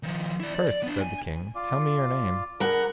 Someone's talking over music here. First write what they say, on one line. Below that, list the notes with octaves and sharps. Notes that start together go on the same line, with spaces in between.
First, said the king, tell me your name.
D#3 F3
E4 D5
D5
D5
B3 D4
G#5
F4 D5
D4 G#4 A#4 F#5 B5